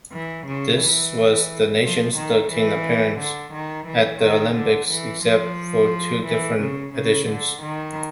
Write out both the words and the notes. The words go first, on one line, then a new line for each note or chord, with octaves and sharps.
This was the nation's thirteenth appearance at the Olympics, except for two different editions.
E3
C#3
E3
F3
D#3
E3
D3
D#3
E3
D#3
D3
E3
F3
E3
C#3
C#3
D3
D#3